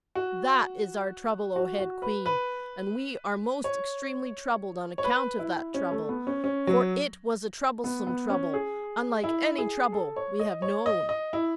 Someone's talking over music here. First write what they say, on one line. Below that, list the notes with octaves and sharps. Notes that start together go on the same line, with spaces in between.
That is our trouble, O Head Queen, and we are most extremely troubled on account of that trouble, for it was a troublesome trouble, unlike any trouble we have known.'
F#4
F#4
F#4
B4
B4
C#5
C#5
B4
E4
C#4
A3
B3
C#4
C#4
F#3
B3
B3
C#4
G#4
E4
G#4
A4
C#5
D#5
C#5
D#5
D#5
E4